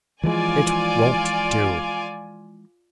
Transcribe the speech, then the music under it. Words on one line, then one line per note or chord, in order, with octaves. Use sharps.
It won't do.
E3 F3 G#3 F4 D5 G#5